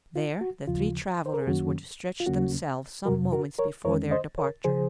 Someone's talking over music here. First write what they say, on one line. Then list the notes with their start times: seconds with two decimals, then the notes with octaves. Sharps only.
There the three travelers were to stretch themselves some moments before their departure.
0.16 F4
0.41 F#4
0.67 D#2 C#3 F3 F4
1.26 C5
1.34 A#4
1.41 G#4
1.47 F#2 D#3 F#3 A#3 C#4 F#4
2.20 F4
2.26 D#2 C#3 F#3 A#3 C#4 F#4
3.05 F2 C3 F#3 F#4 A#4
3.32 F#4 A#4
3.59 A#4 C#5
3.85 F2 D#3 G#3 C#4 A#4 C#5
4.11 C5 D#5
4.38 A#4 C#5
4.64 C#3 F3 G#4 C5